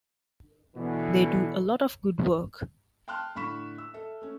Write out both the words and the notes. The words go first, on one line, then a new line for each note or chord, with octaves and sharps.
They do a lot of good work.
B2 D3 E3
G5 A5 C6 F6 F#6
A2 D3 B5 C#6 B6 E7
E6
A4 E5
A3 C#4